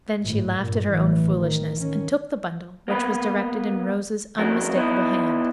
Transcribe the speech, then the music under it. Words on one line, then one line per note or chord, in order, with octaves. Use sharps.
Then she laughed at her own foolishness, and took the "bundle," which was directed in Rose's unmistakable hand.
G#1 A2
G2 A#2
A1 E3
D#3
D#3 C#4
A#3 B3 B4
F2 A3 C#4 F#4 A#4
B3 D#4 E4